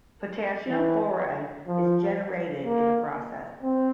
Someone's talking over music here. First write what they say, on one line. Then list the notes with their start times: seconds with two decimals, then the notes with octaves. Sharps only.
Potassium chloride is generated in the process.
0.69 E3
1.67 F3
2.65 A#3
3.62 C4